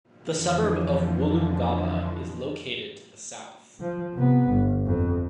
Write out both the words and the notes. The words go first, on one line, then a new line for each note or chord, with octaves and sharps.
The suburb of Woolloongabba is located to the south.
F2 D3 E3 F3
F3
C3 B3
G1
F2